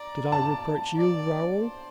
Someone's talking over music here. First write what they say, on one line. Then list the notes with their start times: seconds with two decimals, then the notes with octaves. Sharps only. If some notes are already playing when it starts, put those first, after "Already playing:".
"Did I reproach you, Raoul?"
Already playing: D5 A#5
0.32 A5
0.96 D5
1.60 C5